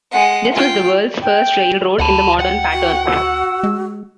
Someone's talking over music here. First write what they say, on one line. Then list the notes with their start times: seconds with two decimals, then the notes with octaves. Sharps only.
This was the world's first railroad in the modern pattern.
0.11 G#3 F#5
0.54 F4 G5
1.22 G5
2.00 D2 F#5 A5 B5
2.40 F#5 G5
2.73 F#4
3.07 E6
3.63 G#3